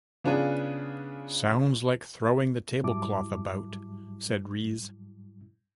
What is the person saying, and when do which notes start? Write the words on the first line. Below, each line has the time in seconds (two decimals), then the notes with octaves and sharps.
"Sounds like throwing the tablecloth about," said Rees.
0.24 C#3 B3 D4 F4 G#4 B4
2.83 G#2 F#3 G3 E4 A5 D6